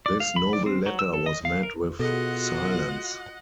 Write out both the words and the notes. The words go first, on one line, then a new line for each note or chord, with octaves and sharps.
This noble letter was met with silence.
D5
F5
B5
D5
C4
F#3
E6
A4
D#5
F5
A#4
B2 F4 F#4 G#4 A4 D#5 F#5